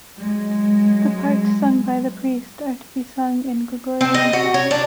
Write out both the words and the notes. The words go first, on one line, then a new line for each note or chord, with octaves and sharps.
The parts sung by the priest are to be sung in Gregorian chant.
F#3 G#3
C4
D#5
F#4
C#5
D4